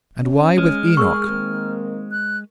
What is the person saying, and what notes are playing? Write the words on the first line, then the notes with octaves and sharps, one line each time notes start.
"And why with Enoch?"
C#4
G#3 F6
G#4 A#4 C#6
D#3 A#3 C4
F#6